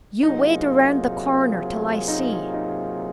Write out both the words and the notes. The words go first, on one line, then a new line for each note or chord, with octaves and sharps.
"You wait around the corner till I see."
C3 F#3 A#3 D#4 F4 G#4
D#4
D#4